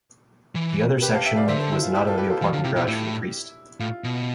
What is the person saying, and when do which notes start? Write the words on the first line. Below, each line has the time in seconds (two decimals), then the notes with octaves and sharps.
The other section was an automobile parking garage for the priest.
0.55 E3
1.02 G4 B4
1.14 F5 A5
1.26 E5 G5
1.36 D5 F5
1.48 D3 C5 E5
1.60 A4 C5
1.72 E4
1.83 F4
1.95 E4 G4
2.07 F4 A4
2.18 G4 B4
2.30 F4 A4
2.41 E3 F4
2.53 D3 F4
2.64 C3 E4 G4
2.76 B2 E4 G4
2.87 A2 E4
3.80 A2 F4
4.04 B2